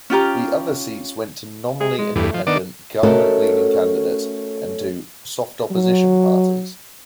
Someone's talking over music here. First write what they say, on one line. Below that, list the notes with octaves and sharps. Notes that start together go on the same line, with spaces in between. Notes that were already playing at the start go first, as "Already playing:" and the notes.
The other seats went to nominally independent, government-leaning candidates, and to "soft opposition" parties.
C#4 F4 G4 A#5
G#4
G#3
E2 G2 A3
F3
D#3 B3 D4 D5
A3 C#4 F#4 A4 A#4 D#5
F#3